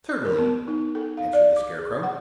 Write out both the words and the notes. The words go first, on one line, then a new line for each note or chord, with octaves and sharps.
"Certainly," answered the Scarecrow.
A#4
B3
D#4
A4
F5
D5
D6
G#4
F#5